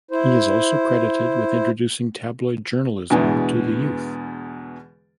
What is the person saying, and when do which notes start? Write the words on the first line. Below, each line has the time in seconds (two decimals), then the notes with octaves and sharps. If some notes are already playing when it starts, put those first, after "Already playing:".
He is also credited with introducing tabloid journalism to the youth.
0.11 E4 C5
3.10 E2 B2 D3 E3 G#3